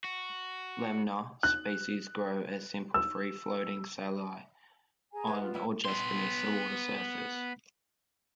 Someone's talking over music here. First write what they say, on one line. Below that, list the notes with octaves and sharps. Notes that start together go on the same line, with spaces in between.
"Lemna" species grow as simple free-floating thalli on or just beneath the water surface.
F#4
F#6
E6
G#4 G#5 A#5
B3
F4
G3 E4
B3 C6